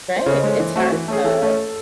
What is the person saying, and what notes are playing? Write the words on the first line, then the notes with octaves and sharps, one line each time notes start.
Right, it's hard, though.
C5
C#3 A4 C#5
C5 D#5
G#3 C#4 A4 C#5
E3
A3 C4 F#4
E3
A3 C#4 G#4
E3 A4 C#5
A3 C#4